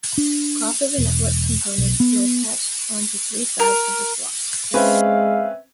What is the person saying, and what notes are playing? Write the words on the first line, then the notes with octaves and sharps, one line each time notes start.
Crossover network components were attached onto three sides of this block.
D4
E1
B1
B3
A#4
G#3 C4 C#4 B4 E5 F5